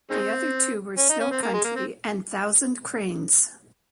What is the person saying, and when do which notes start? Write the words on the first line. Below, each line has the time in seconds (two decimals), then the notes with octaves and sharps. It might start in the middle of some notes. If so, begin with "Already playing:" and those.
The other two were "Snow Country" and "Thousand Cranes".
0.11 D#3 G#3 C4
0.98 C#4
1.09 D#4
1.20 C#4
1.31 C4
1.42 A#3
1.53 G#3
1.64 A#3
1.76 C4